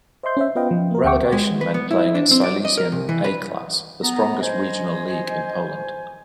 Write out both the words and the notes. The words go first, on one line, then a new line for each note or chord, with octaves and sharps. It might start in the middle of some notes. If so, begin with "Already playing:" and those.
Relegation meant playing in Silesian A-Class, the strongest regional league in Poland.
C5 D#5 E5 C6 G6
C#4 C5 E5
B3 F4 B4 D#5 F5 G5
F3
A#3 A#4
D2 E5 F#5 G5 C#6 D6
G#3
B4
B3
E4
D4
C4
D5
D#5
A#4
C2
E3
B4
B3 A#5
C5 D#5 G#5